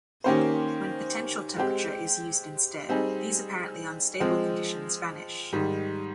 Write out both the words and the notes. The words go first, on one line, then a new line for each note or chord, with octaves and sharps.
When potential temperature is used instead, these apparently unstable conditions vanish.
D#3 A#3 C#4 G4 C5
G#3 C4 G4
G3 C4 D#4 G#4
F3 G#3 C4
G#2 D#3 G3